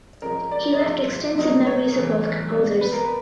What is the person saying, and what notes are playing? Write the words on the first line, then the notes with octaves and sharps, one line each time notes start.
He left extensive memories of both composers.
C#3 F3 G#3 C#4 A#4
A#4
D5
D#5
G#2 F3 G#3 E5
B2 F#3 A3 D4 D#5
C#5
E2 C#3 E3 A3
B2 G3 B3 D4
B4
A#4
B4